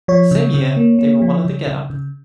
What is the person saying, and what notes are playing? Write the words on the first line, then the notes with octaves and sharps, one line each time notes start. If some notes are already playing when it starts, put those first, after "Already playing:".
The same year, they were one of the Getup.
F3 C#5
C#3
C#3
A#3
A#3
F3
C#3
C#3
C#3